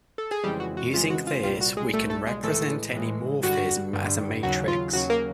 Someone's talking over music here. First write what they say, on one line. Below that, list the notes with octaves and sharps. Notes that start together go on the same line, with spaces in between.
Using this, we can represent any morphism as a matrix.
A4
G#4
F2 C#3 E3 G3 G#3 G4
F#4
F#4
F2 C#3 E3 G#3 F4
F#4
F4
C2 A#2 G3 F4
F#4
G#3 G#4
C2 A#2 G3 A3 A4
A3 A4
G#3 G#4
A2 E3 G#3 A3 A4
A2 E3 G#3
G2 D3 G3 F#4
G2 D3 G3
D#2 C#3 F#3 F#4
F4
D#2 C#3 F#3 F#4
A#3 A#4